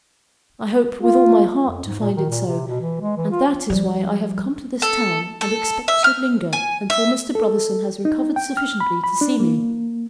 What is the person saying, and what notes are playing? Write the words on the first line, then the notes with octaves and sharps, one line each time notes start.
I hope with all my heart to find it so, and that is why I have come to this town and expect to linger till Mr. Brotherson has recovered sufficiently to see me.
F4
F2
G#2
A#2
D#3
A#2
C3
B2
E3
G#3
E3
F4
F3 G3
A4
A4
E5
F6
G#5
E5
A4
D#4
G5
F6
B5
B5
D4
A#3